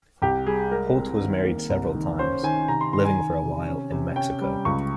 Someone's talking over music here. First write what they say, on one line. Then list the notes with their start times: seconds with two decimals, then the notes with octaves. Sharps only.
Holt was married several times, living for a while in Mexico.
0.22 C2 G4
0.47 G3 G#4
0.71 G#3 A#4
0.95 C4
1.21 D#3
1.45 A#3
1.70 C2
1.95 D#3
2.19 C#4 C5
2.43 D#3 G#5
2.68 C3 A#5
2.81 C6
2.93 D#3 C6
3.05 G#5
3.17 D#3
3.43 C3
3.67 C#4
3.92 C3
4.16 C#4 G5
4.41 G3
4.65 C#2 C#6